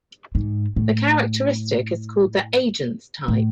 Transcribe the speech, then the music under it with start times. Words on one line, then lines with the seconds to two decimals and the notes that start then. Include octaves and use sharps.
The characteristic is called the agent's "type".
0.35 G#2
0.76 A2
3.28 A2